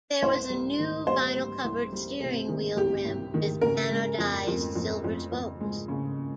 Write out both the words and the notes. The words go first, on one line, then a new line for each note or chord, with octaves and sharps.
There was a new vinyl-covered steering wheel rim with anodised silver spokes.
C2 C5
G3
D#3
G3 C5
G3
C2
G3
C3
D#3
C2 G4
C2
D#3
C#3 A#4
G#3
F2
F2
F2
F2
F2
G#3
C#3